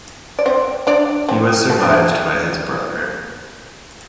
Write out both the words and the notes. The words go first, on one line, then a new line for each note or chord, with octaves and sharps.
He was survived by his brother.
D5
C4 C5
D4 D5
C4 C5
A3 A4
D4
C4
A#3
A3
G3